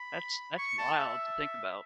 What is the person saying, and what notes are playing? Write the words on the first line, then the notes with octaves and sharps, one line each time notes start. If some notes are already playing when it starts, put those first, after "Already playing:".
That's that's wild to think about.
Already playing: B5
C#6
A5
E5